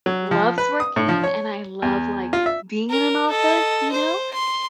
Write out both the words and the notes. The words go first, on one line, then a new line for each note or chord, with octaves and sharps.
loves working, and I love, like, being in an office, you know?
F#3
F3
B4
D#6
A2
F3
C#5
E2
F4
E5
A#4
A4 D#5
C5
C6